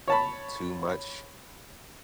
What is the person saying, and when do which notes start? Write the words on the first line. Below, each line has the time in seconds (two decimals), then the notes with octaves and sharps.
too much.
0.08 C#5 A5 B5